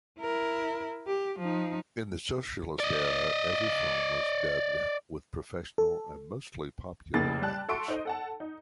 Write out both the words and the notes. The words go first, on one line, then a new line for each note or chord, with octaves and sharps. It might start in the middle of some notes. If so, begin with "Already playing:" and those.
In the socialist era, every film was dubbed with professional and mostly popular actors.
E4 A#4
G4
F3 D#4
D5 D#5
A4
F1 A2 C#3 A#3 A6
G3 G5 A5 F#6
F#4 A4 E5 C6 C#6 D7
D#4 C5 D#5
A4 F#5 A5
D#4